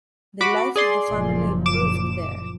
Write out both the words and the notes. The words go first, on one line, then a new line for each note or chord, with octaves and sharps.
The life of the family improved there.
F#4 B5 D6
G#4 D5 C6
F#1 A#2 F3
D6 E7